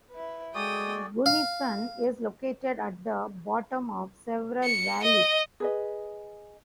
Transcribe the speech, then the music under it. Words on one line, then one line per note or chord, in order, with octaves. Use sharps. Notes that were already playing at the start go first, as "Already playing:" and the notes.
Gunnison is located at the bottom of several valleys.
E4 B4
G#3 F#4 G#4 A4 D5 G5 D#6
F5
C#7
D#5
G#4 B4 D#5